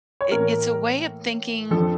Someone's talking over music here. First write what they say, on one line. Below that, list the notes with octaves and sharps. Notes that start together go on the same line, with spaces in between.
It it's a way of thinking
C#5
A2 E3 A#3 A#4
F2 D3 F3 A4